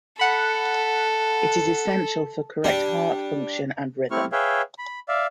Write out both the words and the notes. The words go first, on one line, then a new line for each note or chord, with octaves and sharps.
It is essential for correct heart function and rhythm.
A4 F#5 B5
G3 D4
A3 C4 E4 G4 C#6 F6
G#4 B4 C#5 E5 F5 G5
B5
D5 E5 F5